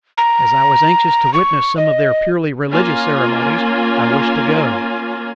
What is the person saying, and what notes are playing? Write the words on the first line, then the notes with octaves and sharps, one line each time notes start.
As I was anxious to witness some of their purely religious ceremonies, I wished to go.
A#5
C#6
D#5
A#3 C#4 F4 G#5